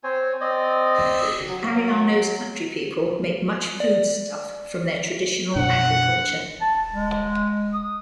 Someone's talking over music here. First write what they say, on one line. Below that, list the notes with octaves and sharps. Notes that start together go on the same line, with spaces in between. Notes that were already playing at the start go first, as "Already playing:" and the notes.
Ariano's countrypeople make much foodstuff from their traditional agriculture.
C4 C5 C#5 G#5
C4 D5 D#5
F#3
D5
F#2 B2 D4 F#5
A5
G#3
D#6